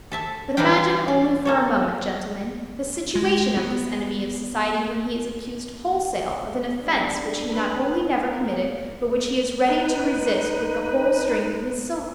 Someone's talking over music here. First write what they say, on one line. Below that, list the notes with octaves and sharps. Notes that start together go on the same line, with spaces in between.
But imagine only for a moment, gentlemen, the situation of this enemy of society when he is accused wholesale of an offence which he not only never committed, but which he is ready to resist with the whole strength of his soul.
A4 E5 A5
E3 G3 D#4 E4 F5 G5
D5
A#3 A4 C#5
G#3
B3
G3 D4
B4
A#3
D#4 B4